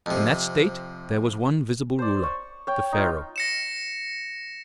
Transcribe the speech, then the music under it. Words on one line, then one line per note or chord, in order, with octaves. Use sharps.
In that state there was one visible ruler,--the pharaoh.
F2 C3
C5 D5
C#6
C#5 G5
D#4 F4
A#6 C#7 E7